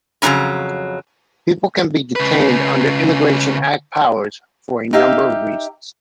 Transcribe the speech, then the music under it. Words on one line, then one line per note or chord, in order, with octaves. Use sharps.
People can be detained under Immigration Act powers for a number of reasons.
F2 C#3 E3 F#3 C#4 A#5
C#3 B4
D#4 G4 E5 F5